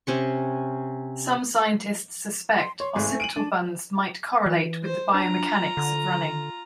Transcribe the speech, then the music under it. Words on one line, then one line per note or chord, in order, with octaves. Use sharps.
Some scientists suspect occipital buns might correlate with the biomechanics of running.
C3 C#4 C#6
C6
C#5 C6
G#1 G#3 A3 G#5
A3
D7 D#7 F#7
D4 A5
E3
C5
D4 F4 A#5
D3